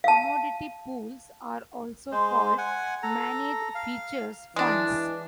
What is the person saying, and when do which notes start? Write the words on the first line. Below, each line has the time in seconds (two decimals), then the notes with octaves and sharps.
Commodity pools are also called "managed futures funds".
0.04 F5 A5
2.12 G#3 C5
2.58 F#5 G#5
3.03 A4 A#5
3.75 F5
4.56 E3 G#3 D4